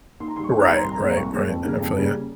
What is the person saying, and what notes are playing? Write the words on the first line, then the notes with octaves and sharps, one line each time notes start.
Right, right, right, I feel ya.
D#2 C6
A#5
D#3 G3 C6 C#6
D#2
A#5
D#3 G3 C6
A#5
C2 C6
A#5
A#2 G#3
A#5
C2 C#6
A#2 G#3
F2
C#3 G3 A#3 C#4
F2
C#3 G3 A#3 C#4